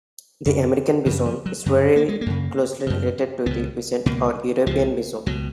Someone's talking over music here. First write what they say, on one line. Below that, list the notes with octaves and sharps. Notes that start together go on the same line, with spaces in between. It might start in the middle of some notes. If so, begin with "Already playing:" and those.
The American bison is very closely related to the wisent or European bison.
F2 C#3
F#2 C#3 F3
F3
F#3
F#2 C#3
A#3
G#3
A#3
F#2 C#3
F#2 C#3
C#2 B2 B3
C#2 B2 A#3
C#2 B2 F3
C#2 B2 F#3